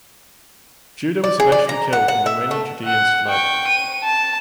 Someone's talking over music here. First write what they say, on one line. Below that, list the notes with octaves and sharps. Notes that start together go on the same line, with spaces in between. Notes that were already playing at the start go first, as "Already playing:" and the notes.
Judah was eventually killed and the remaining Judeans fled.
D5
G#4
D5
A#5
F#5
F#5
E5
A3
F#5
G5 C#6
D#7
A5